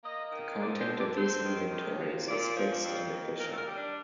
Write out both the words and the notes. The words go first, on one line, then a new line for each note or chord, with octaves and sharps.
The content of these inventories is fixed and official.
A#3 D#5
D#3
C4 D5
C5
D3
D5
C4 C5
D#3
C3
F3
A#2 D5
F3
F2
D#3
A#2 A#4
A4
A#4
G3
D4